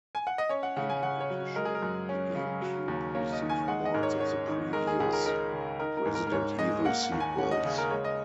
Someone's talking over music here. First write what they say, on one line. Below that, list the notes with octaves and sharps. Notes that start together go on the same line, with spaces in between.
In addition, the GameCube received ports of the previous "Resident Evil" sequels.
G#5
F#5
D#5
C#4 C#5
F#5
C#3 F#5
G#5
C#3 F#5
C#5
F#3
G#3 A#4
G#4
A#4
F#2
C#4
C#3
F#3
D#2
A#3 C#5
D#5
D#3
G#5
G#3 F#5
D#5
G#2 A#4
C#5
C#4 C#5
D#3
G#3 A#4
G#4
C#2 G#4
A#4
D#4 A#4
C#3
D#4 A#4
A#4
G#2
A#4
A#4
G#2 C#5
G#3 D#5
A#3 F#5
F#5
D#2
G#5
C#4 F#5
D#5
C#3 G#4
A#4
G#3 C#5
D#5